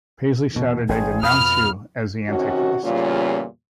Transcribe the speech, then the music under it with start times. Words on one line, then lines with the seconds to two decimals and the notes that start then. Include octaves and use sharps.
Paisley shouted I denounce you as the Antichrist!
0.54 E2 B2
0.89 A1 G#4 G5 G#5
1.23 F2 B2 B5 D#6 F6
2.28 C3 D#3 C#4 F#4
2.83 E2 A#2 C#3 G3 C#4 F4